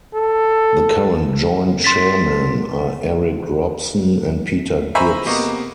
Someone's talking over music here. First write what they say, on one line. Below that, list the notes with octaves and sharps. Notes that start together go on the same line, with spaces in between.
The current joint-chairmen are Eric Robson and Peter Gibbs.
A4
C6 A6 B6
C5 E5 G#5 A#5 B5 C#6
C3 A#3 B3 D#5 C#6 D6